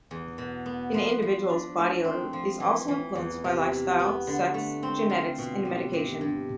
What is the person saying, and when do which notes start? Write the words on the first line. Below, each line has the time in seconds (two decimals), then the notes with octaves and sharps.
An individual's body odor is also influenced by lifestyle, sex, genetics, and medication.
0.11 E2
0.38 B2
0.66 B3
0.94 F3
1.22 F3
1.49 D4
1.78 A3
2.04 C4
2.33 F3
2.60 E3
2.88 E3
3.15 E2
3.44 C3
3.72 E4
3.99 B3
4.27 D3
4.54 A3
4.83 C4
5.10 F4
5.38 B2
5.65 G3
5.93 G2
6.21 G2